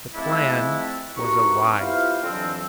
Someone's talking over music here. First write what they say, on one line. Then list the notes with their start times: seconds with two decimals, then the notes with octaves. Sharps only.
The plan was a wise one.
0.14 F3 G#3 A3 C4 D4 E4
1.17 C2 G2 D#4 F#4 C#6
1.78 B3 E4 F4 G4 C5 F5
2.22 F2 D3 E3 F#3 C4